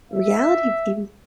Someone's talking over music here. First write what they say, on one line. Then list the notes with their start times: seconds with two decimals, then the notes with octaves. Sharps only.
Reality TV.
0.12 E5